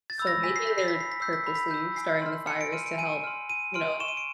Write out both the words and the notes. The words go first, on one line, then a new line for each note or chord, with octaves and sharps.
so maybe they're purposely starting the fires to help, you know,
A6
B5 E6 G6
A#6
G#5 B6
C7
B5 E6 G6 B6
C7
B6
B5
C7
B6
E6 G6 C7
B6
B5 C7
B6
E6 G6
G#5 C7
C6 F6
G#5 C#7
D7
C6 F6 D#7
D7
G#5 D#7
C6 F6
G#5 D#7
C6 F6 D7
C#6 E7
D#7
D7